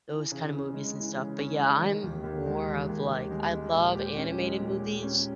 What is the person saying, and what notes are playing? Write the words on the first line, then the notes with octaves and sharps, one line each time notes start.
those kinda movies and stuff, but, yeah, I'm more of, like I love animated movies,
E3
C#3
C#4
G#3
E3
C#3
C#4
G#3
D#3
D#2
D#2
G#3
D#3
D#2
D#2
G#3
G#3
A#2
G4
C#4
G#3
A#2
G4
C#4